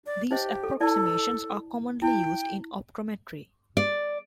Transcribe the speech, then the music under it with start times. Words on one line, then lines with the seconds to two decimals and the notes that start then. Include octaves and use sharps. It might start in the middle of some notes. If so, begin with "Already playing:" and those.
These approximations are commonly used in optometry.
0.06 D5
0.31 D#4 G4 C5 D#5
0.63 A4
0.80 E4 A4 D5 A5
2.02 E4 G5
3.77 D5